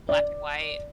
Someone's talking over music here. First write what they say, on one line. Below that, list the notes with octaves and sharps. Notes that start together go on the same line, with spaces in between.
black and white,
D5